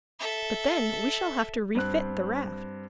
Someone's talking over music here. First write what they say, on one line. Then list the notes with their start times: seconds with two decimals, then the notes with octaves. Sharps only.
"But then we shall have to refit the raft."
0.19 A4 E5
1.75 G2 C4 F#6